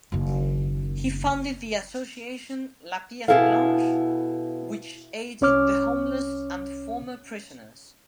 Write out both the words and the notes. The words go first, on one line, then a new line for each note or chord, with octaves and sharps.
He founded the association La Pierre Blanche which aided the homeless and former prisoners.
F#1 D#3
B2 B3 E4 G#4 A4 F5
C2 C#4 C#5 D6 F6